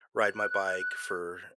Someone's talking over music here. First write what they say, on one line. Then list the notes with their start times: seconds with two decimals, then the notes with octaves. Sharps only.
ride my bike for
0.24 F#6